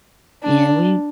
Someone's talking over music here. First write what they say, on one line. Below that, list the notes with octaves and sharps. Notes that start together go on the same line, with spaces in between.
and we
D4